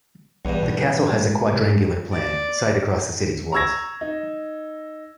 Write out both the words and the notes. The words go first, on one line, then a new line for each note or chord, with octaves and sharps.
The castle has a quadrangular plan, site across the city's walls.
B1 E2 G2
B2
G#3
C3
D5
A#5 C#6 E6 G#6 A#6
D#4